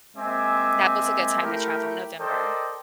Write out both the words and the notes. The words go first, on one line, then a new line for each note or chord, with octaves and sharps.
That was a good time to travel, November.
G#3 A#3 C4 E5 G#5 D6
A3 E4 G4 A#4
A4 A#4 C5 D5 D#5 G5